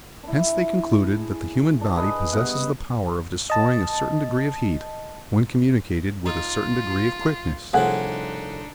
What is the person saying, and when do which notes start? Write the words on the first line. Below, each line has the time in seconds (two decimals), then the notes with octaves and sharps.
Hence they concluded that the human body possesses the power of destroying a certain degree of heat when communicated with a certain degree of quickness.
0.23 D4 E4
1.16 G#4
1.81 D4
1.96 G#4 B4 D#5
2.33 G2 B3 D#5 F#5
3.50 D#5 A5
6.26 D#4 F4
7.74 C2 A2 F3 D4 D#4 G#4 F#5